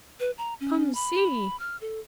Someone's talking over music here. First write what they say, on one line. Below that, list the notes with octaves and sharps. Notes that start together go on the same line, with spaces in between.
"Come, see!"
B4
A#5
C#4
B5
F6
A4